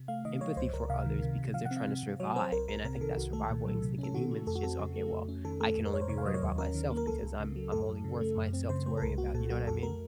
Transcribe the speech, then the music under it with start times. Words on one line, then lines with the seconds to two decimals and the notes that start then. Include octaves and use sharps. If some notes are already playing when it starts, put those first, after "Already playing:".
empathy for others because they're tryna survive. And I think that survival instinct in humans is just, "Okay, well, I can only be worried about myself because I'm I'm only worth myself to worry about." You know what I mean?
Already playing: C3
0.08 A3 F5
0.25 D#3 D#5
0.41 F#3 C#5
0.57 C#2 C5
0.73 C#2 A#4
0.90 C3 F5
1.06 D#3
1.22 C3
1.38 C3
1.54 F3 F5
1.65 F#5
1.71 C4
1.77 F5
1.87 C3
2.03 C3
2.20 F#3 C#5
2.36 C4 C5
2.52 C2 A#4
2.68 C2 A#4
2.84 C3 A#4
3.01 D#3 A4
3.17 C2 F#4
3.33 A3 A4
3.50 A#2
3.66 F#3
3.82 C3
3.98 C#4 A4
4.14 D#3 F#4
4.31 A3
4.47 F2 A4
4.55 F#4
4.63 C4 A4
4.80 C#3
4.96 A3
5.12 F2
5.28 C#4
5.45 D#3 A4
5.60 A3 A4
5.77 F2
5.86 A#4
5.93 F2 C#5
6.01 C5
6.09 C3 C#5
6.18 F5
6.26 F#3 D#5
6.34 C#5
6.42 D#2 C5
6.58 C#4 A#4
6.74 D#3
6.90 A#3
6.97 A#4
7.07 C#2 A4
7.23 C#2
7.40 C#3
7.56 F#3
7.72 F#2 A4
7.88 F#2
8.04 C#3
8.21 A3
8.37 F#2
8.53 C4
8.69 C#3 C5
8.86 A3 C5
8.97 A4
9.02 C2 A#4
9.18 A#3 F#4
9.34 A#2 A4
9.50 F#3 F#4
9.67 F2 A4
9.83 A3 A#4